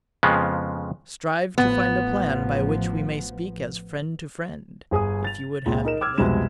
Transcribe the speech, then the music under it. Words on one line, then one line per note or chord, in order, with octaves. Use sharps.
Strive to find a plan by which we may speak as friend to friend, if you would have me live.
F2 C#3 F3 G#3 B3
A1 F3 B3
G1 G#4 G#5 D#6
A6 F7
C#2 A#2
D#4 A#4 E7
D6 E6 F6 G#6
C2 F2 B2 G#3 E7